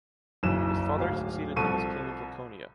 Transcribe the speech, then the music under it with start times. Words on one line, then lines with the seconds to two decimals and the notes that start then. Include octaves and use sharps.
His father succeeded him as king of Laconia.
0.43 F#1 B1 E3 E7
0.99 D1 G#2 F5
1.56 C2 F3 A4 C#6 D#7